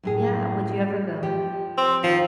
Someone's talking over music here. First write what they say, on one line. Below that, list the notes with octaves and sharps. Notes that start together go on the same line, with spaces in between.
Yeah, would you ever go?
F#2 A2 G#4
F3 G4
C4
D#3 F3